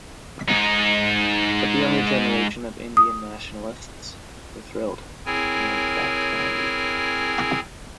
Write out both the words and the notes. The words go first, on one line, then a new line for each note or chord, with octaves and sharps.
But the younger generation of Indian nationalists were thrilled, and backed Gandhi.
G#2 D#4
D#6
C4 E4 G#4 A#4 C#5 G#5